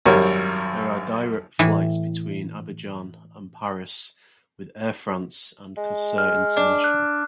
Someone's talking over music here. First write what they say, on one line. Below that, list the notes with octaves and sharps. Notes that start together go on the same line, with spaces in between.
There are direct fights between Abidjan and Paris with Air France and Corsair International.
G#1 F#2 G3 A#4 C#5
A2 E3
G#3
F6
D4
F#6